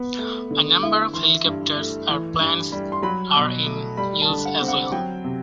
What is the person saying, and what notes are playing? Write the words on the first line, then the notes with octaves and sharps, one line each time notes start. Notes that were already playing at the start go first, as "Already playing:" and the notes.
A number of helicopters and planes are in use as well.
Already playing: B3
A3
D3
E4
E3 C6
G2
A3
E3
G2
G3
C6
F#3 B5
B2
A3
G3 B5
A5
D3
F#5
C4
F#5
F#3 G5
C3